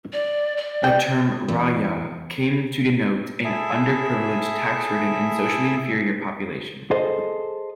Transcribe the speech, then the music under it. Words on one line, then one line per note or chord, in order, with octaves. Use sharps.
The term rayah came to denote an underprivileged, tax-ridden and socially inferior population.
D5
D5
G5
E2
E4 G#4 A4 E5
G#4 A4 C5 D#5